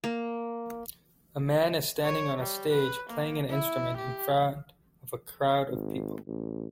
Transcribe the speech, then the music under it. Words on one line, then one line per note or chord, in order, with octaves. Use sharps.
A man is standing on a stage playing an instrument in front of a crowd of people.
A#3
C#5
G3
B4
A#3
E4
G4
G#1
A1